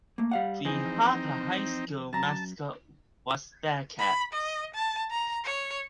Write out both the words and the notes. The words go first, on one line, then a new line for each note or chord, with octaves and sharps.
The Harper High School mascot was Bearcats.
A3 A#3
G3 F5 F#5
F2 E3 C4 D#4 G#4
F#2 A5 A#5
B5
D#5
A5
A#5
C#5